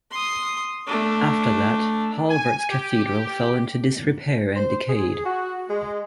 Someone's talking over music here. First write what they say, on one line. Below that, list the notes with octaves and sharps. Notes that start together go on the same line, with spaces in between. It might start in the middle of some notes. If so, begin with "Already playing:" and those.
After that, Hallvards Cathedral fell into disrepair and decayed.
C6 D#6
A3 D4
G#5
G4
C5
G#4
F#4
G#3